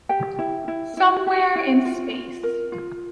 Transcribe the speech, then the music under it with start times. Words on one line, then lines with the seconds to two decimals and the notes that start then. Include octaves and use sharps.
Somewhere in space.
0.09 G4 G5
0.39 E4
0.68 E4
0.97 E4
1.27 G4
1.56 E4
1.85 F4
2.14 F4
2.43 A#4
2.72 F4